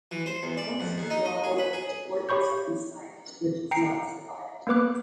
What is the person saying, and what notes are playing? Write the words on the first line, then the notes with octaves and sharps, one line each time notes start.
The counts of Celano built a fortress at this site, which has not survived.
E3
C5
E2
D5
F2
D#2
D#4
D#5
G#4
B4
G#4
G4 C#5 B5 C#6 G6
G5 A#5 C7 C#7
A#3 B3 B4 D6 F#6